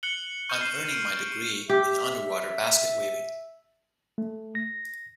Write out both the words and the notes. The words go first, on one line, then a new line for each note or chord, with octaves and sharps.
I'm earning my degree in underwater basket weaving.
F#6 C#7 F#7 G7
C#6 F6 G6 D#7
C7 E7
D7
G4 E5
A3
A#6